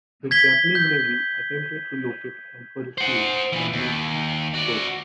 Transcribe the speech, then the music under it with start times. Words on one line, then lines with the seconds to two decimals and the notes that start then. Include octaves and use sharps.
The Japanese Navy attempted to locate and pursue the American task force.
0.31 G#6 B6 G7
0.75 G6
2.98 C5 F#5
3.53 A#2 E3
3.73 D#2
4.54 F#4 D5